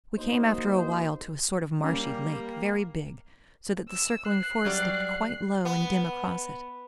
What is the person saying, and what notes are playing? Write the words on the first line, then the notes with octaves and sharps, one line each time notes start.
We came after a while to a sort of marshy lake, very big, so that the circling forest looked quite low and dim across it.
A#3 D#4 F#4 C5
G3 A#3 C#4
E6
F#6 C7
F#3 G3 D5
B3